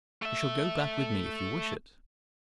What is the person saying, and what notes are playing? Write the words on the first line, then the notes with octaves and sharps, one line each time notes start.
"You shall go back with me if you wish it."
A3 E5